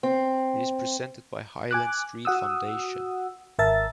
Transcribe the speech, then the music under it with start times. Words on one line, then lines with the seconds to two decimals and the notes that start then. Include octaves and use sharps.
It is presented by Highland Street Foundation.
0.03 C4
1.71 G#5 D6 F#6
2.25 F#4 F#5 D#6 E6
3.59 G#1 A#4 E5 A5 A6